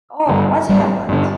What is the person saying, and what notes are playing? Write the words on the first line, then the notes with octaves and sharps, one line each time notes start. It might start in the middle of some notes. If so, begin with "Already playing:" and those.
Oh, what's happened?
G2 D3
G#1 G3
G2 D3